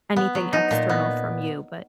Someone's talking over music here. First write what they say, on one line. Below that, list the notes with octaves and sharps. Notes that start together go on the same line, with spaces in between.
anything external from you, but,
B3
F#3
D#4
A#2
B3